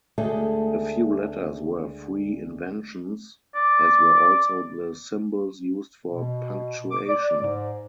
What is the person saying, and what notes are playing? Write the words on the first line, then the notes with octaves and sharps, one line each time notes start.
A few letters were free inventions, as were also the symbols used for punctuation.
D2 G#3 A3 G#4 A4
D5
B2
D6
D5
G#2